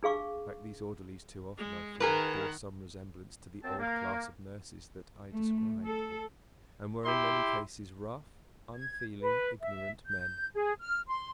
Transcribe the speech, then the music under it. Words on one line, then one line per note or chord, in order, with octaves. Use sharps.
In fact, these orderlies too often, I fear, bore some resemblance to the old class of nurses that I described, and were in many cases rough, unfeeling, ignorant men.
D4 G#4 F5 C#6 D6
G#3
D#3 G#4 A#4 B4 F#5
F#2 C4 A5
A#3
A3
A4
E4 G4 C6
G#6
B4
E5
G6
G#4
F6
C6